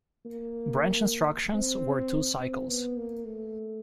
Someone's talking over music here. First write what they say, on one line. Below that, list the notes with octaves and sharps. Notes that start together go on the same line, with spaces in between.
Branch instructions were two cycles.
A#3
C4
C4
B3
A#3
A3